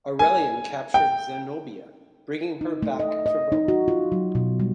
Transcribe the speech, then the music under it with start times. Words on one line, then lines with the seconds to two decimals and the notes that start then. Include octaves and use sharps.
Aurelian captured Zenobia, bringing her back to Rome.
0.19 G#5
0.94 G5
2.61 D#4
2.83 A3
3.00 D#5
3.26 D#5
3.52 D#4
3.68 F#4
3.88 F4
4.12 F#3
4.35 B2
4.60 G3